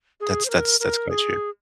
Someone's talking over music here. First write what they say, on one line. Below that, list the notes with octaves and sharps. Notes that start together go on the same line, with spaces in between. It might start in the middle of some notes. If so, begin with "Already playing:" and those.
That's that's that's quite true.
G#4
C5
A#4
A#4
G#4